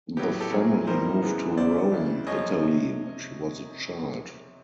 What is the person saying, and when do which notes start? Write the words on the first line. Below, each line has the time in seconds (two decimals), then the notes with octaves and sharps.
The family moved to Rome, Italy when she was a child.
0.17 A2 F#3 B3 G4
0.40 G4 A4
0.52 A#2 F#3 A3 C4 G#4 A#4
0.87 A2 E3 G3 A#3 D#4 A#4 C5
1.22 F#2 C#3 E3 G#3 B3
1.57 F#2 C#3 E3 C5 D5
1.92 C#2 C#3 E3
2.27 F#2 C#3 F3 C#5 D#5
2.62 C3